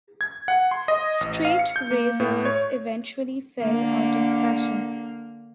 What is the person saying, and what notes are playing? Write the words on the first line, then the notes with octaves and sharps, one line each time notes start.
Straight razors eventually fell out of fashion.
G#6
F#5
C6
D#5
A1
F5
C#7
G6
A#3
A2
C#5
D3 A#3